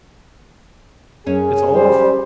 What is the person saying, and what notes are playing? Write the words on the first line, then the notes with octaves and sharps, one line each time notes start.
It's off.
F#2 C#4 G#4
G3 C5